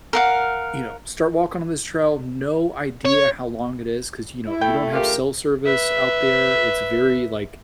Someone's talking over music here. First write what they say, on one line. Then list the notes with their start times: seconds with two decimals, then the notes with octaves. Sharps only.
you know, start walking on this trail, no idea how long it is 'cause, you know, you don't have cell service out there. It's very like
0.13 A#4 F5 F#5
3.05 C#5
4.47 E4
4.61 A3 G5
4.93 C#3 F4 G4 A#4
5.66 B4 E5